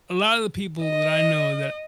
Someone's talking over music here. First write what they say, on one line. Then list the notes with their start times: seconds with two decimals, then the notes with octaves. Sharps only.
a lotta the people that I know that
0.85 D#5